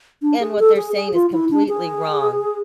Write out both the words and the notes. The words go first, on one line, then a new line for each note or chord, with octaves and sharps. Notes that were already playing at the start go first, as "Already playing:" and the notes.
And what they're saying is completely wrong
D4
G#4
A4
G#4
G#4
F4
E4
D4
G#4